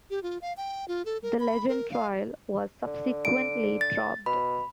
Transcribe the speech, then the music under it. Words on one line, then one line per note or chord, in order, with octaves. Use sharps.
The "Legend" trial was subsequently dropped.
G4
F4
F5
G5
F4
A4
A#4
B5
A#4
F5
D3
D7
A6
B2 B5